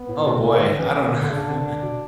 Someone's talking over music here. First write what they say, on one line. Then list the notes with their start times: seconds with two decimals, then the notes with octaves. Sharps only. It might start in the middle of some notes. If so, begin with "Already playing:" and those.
Oh, boy. I don't kn
Already playing: B3
0.08 A2
0.26 B2
0.43 C#3
0.60 D3
0.77 E3 C#4
1.04 D3
1.21 D3
1.30 C#3 D4
1.47 D3
1.65 D3
1.82 B2